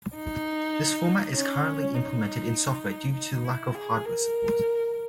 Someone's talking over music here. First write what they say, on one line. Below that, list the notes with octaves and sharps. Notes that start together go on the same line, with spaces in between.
This format is currently implemented in software due to lack of hardware support.
D#4
C#4
D#4
D#4
E4
G#4
A#4